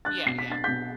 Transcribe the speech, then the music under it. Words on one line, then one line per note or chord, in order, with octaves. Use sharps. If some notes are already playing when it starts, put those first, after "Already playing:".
Yeah, yeah.
D4 F#6 A6
B2 C7
B6
D4 A6
B2 G6 B6